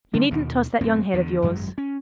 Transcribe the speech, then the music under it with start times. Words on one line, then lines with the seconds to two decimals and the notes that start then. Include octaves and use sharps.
You needn't toss that young head of yours.
0.14 D3 G3 D4
0.31 D#2 B2 D#3
0.81 D1 F#2 A#3 C4
1.13 E2 D3
1.42 G#1 F#2 F#3 G#3
1.78 C#4